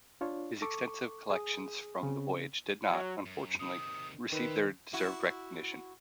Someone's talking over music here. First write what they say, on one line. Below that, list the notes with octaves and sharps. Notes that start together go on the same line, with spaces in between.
His extensive collections from the voyage did not, unfortunately, receive their deserved recognition.
D4 F4 C#5
A4 C#6 D6
G#4 D#6
C#3 C4
F#3
F#2
C3 D#3 D#6
D#3 B4 C5 E5
E4 F#4